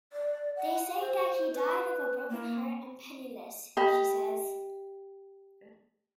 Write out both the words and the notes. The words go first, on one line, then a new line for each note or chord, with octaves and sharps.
They say that he died of a broken heart and penniless, she says.
D5
F#5
C5
B4
A#3
G4 D#5 B5